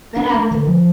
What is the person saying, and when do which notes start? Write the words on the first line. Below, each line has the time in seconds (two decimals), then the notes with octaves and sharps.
but at the
0.16 D4
0.34 A3
0.51 D3
0.67 F3